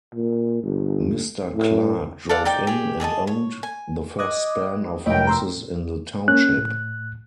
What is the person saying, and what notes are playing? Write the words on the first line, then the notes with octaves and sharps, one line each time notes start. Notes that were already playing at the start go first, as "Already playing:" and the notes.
Mr. Clark drove in, and owned, the first span of horses in the township.
A#2
G1
A2
A4 D5 F5 F#5
D#4 D5 G5 D6
G4 G#4
G#4 D5 D#5 A5
C#5
G#5
D#5 D6 D#6 F#6 G#6
F1 E4 A#4 C#5 D#5 G5
A#5 C6 E6
A#3 C#4 F#6
A2